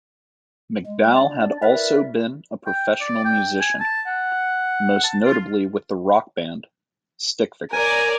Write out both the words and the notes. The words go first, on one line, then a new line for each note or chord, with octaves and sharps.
McDowell has also been a professional musician, most notably with the rock band, Stickfigure.
G#3
D4 D5
E4 A#4 B4 D5 E5
G5
D5
G5
G#5
A5
F#5
A5
F4
A#4 C#5 D5 G#5